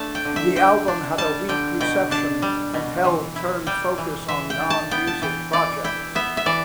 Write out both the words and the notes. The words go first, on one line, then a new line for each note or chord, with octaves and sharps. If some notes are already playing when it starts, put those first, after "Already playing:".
The album had a weak reception, and Hell turned focus on non-music projects.
Already playing: A3 D4 A5
G5
D3
E5
D3 G5
D4
G3 A5
D3 G5
B2 G5
D4 A5
G3
B2
E3
E4
G3 G5
E3
E3 E5
G5
D4
A5
B3 G5
A5
E3 G5
E3 D5
E4 G5
B3 E5
E5
E3 D5